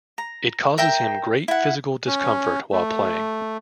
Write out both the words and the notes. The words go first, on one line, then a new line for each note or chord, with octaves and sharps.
It causes him great physical discomfort while playing.
A#5
A#4 E5 G5 A#5
E4 F#5
C#4
A3